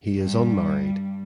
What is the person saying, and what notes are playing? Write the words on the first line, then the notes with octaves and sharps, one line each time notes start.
He is unmarried.
G2 G3